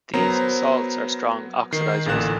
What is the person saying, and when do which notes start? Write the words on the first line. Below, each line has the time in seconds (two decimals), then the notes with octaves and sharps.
These salts are strong oxidizers.
0.14 F#3 B3 A#4 C5 A#5
1.72 D#3 C7
2.06 A1 A#2 D3 F5 F#6 E7